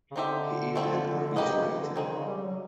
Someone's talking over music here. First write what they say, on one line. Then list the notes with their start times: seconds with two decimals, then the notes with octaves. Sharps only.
He is an arbitrator.
0.11 C#3
0.16 D3 C4 D#4 G4 C5 E5
0.76 F3 A3 C4 E4
1.36 C#3 A#3 D#4 G4 B4 D#5
1.46 C3
1.55 C#3
1.81 D3
1.95 D3 C4 D#4 G#4
2.06 D#3
2.16 C#3
2.26 G3
2.36 G3
2.46 F#3